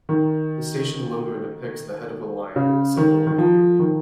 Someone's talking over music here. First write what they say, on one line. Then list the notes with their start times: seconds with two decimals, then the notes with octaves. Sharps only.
The station logo depicts the head of a lion, a symbol of Ethiopia.
0.09 D#3
2.56 C#3
2.97 D#3
3.27 D#3
3.38 F3
3.79 D#3